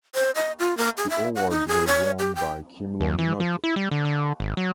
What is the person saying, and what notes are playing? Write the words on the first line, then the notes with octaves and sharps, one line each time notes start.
The award was won by Kim Longinotto.
C5
D#5
F4
A#3
G#4
E5
F#5
D#4
G#4
C#5
G4
G5
D#2
E3
F3
E4
G3
D3
D3
G#1
F#3